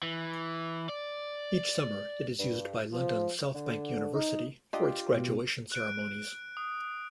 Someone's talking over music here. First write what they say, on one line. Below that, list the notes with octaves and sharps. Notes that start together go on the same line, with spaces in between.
Each summer it is used by London South Bank University for its graduation ceremonies.
E3
D5
G2
F3
D3
D#4
D4 F4 G4 D#5
B2
F#6 D7
D#6